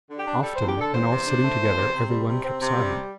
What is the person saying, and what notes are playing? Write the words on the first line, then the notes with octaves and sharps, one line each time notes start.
Often when all sitting together everyone kept silent.
D3
G4
D4
G3 A4
C5
E2
G4
D3 A4
E2 C5
C3
D4
A3
E2
C3
C3
G3
C3
C4
C3
G3